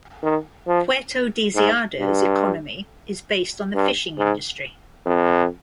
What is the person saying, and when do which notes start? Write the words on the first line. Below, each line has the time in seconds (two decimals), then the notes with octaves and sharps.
Puerto Deseado's economy is based on the fishing industry.
0.23 D#3
0.67 F3
1.55 G#2
1.99 G2
3.74 G2
4.18 G#2
5.06 F2